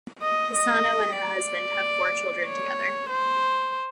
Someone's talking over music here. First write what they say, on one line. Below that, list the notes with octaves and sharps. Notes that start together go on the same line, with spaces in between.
Pisano and her husband have four children together.
D#5
D#5
D5
C#5
C5